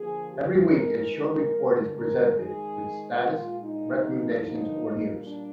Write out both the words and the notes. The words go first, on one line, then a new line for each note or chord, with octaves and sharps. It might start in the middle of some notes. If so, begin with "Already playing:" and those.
Every week a short report is presented, with status, recommendations or news.
Already playing: D3 F3 A#3 G#4
G4
D#3 G#3 A#4
A#4
D3 G#3
A#4
D#3 G#3 G#4
A#2 G#3 F4
D#4
D3 F3 A#3
D#4
A#2 G3 A#3
D4